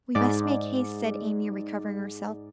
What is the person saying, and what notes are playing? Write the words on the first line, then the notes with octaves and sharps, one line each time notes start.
'We must make haste,' said Amy, recovering herself.
G#2 D5